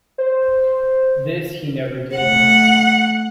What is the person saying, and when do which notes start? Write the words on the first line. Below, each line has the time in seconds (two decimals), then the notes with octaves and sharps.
This he never did.
0.18 C5
2.15 A3 F#5